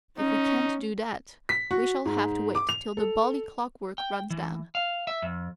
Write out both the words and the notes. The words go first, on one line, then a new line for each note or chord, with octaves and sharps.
If we can't do that, we shall have to wait till the bally clockwork runs down.
C#4 D#4
B6
F#4
G#2
D6
F7
A4
G5
E3
F5
E5
F2